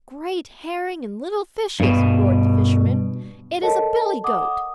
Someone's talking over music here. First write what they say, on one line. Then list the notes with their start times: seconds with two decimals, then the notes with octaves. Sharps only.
"Great herring and little fishes!" roared the fisherman; "it is a billy-goat!"
1.80 G2 B2
3.62 A4 A#4 C#5 D#5 A5
4.24 F#5 D6 D#6